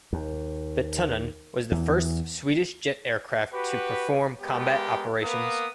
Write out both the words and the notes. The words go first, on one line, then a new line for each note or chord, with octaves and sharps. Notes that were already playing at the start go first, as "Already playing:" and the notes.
The Tunnan was the first Swedish jet aircraft to perform combat operations.
D#2
E2 E3
F#4 G4 B4
G#3 B3 G4 A#4
A#3 B3 A#4 B4 D#6